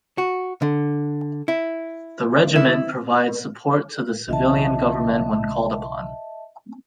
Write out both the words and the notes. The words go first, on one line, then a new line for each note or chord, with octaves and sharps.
The Regiment provides support to the civilian government when called upon.
F#4
D3
E4
E4
B1 C#3 E3 D#5 E5 A5